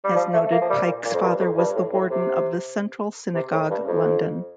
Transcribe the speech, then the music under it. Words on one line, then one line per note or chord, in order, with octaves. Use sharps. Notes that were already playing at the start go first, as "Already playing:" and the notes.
As noted, Pyke's father was the warden of the Central Synagogue, London.
G3
F3
A3
A3
A#3
F3
G3
A#2
A#2
F2
G2
F2
G2
A2
A2
C3
C3
A2
G2
F2